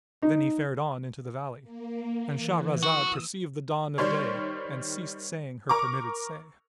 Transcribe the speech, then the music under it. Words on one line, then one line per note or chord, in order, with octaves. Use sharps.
Then he fared on into the valley.--And Shahrazad perceived the dawn of day and ceased saying her permitted say.
D#4
A#3
E3
F#4 D#6 E6
D#3 G3 C5 C#5
A#4 A#5 C#6 D6